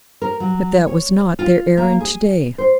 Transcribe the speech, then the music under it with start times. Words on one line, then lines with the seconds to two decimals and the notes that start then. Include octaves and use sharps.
But that was not their errand to-day.
0.22 A#4
0.40 F#3
0.87 C#5
1.39 F4
1.77 A#3
2.00 G#4
2.58 C5